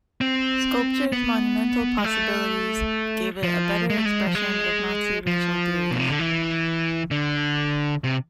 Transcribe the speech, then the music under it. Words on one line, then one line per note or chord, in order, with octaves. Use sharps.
Sculpture's monumental possibilities gave it a better expression of Nazi racial theories.
C4
B3
G#3
A3
F3
G#3
A3
G#3
F3
G#3
F3
B2
C3
D3
E3
D3
C3